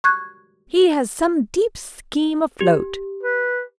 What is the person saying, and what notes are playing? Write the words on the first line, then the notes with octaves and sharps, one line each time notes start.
He has some deep scheme afloat.
C#6 F#6 G#6
G4
B4